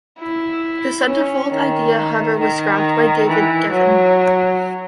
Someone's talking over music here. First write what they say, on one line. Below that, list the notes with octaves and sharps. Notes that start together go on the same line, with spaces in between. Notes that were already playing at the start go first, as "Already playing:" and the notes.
The centerfold idea however was scrapped by David Geffen.
E4
C#4
D#3
D#3
E3
F#3